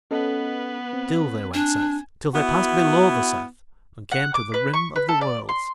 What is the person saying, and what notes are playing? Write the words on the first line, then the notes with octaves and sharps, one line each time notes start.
Still they went South till they passed below the South and came to the Rim of the Worlds.
B3 C#4 A4 B4 D#5
C4
D4 G#5
B3 E4 F#4
F#5
D6
B4
C#6
B4
A4
D5
C6